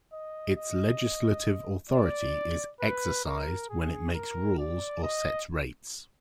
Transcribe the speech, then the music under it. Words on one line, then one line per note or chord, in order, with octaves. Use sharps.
Its legislative authority is exercised when it makes rules or sets rates.
D#5
D#5
D5
B4
A#4
G#4
A#4
D5
D#5